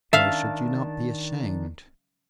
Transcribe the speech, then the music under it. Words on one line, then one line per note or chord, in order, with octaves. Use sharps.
Why should you not be ashamed?
D#3 D4 E5 F5 A5